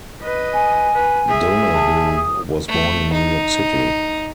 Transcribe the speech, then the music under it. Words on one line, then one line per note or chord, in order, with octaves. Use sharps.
Donahue was born in New York City.
B4 D#5
G#5
B4
G#4 E5
A5
D#6
A3
D#4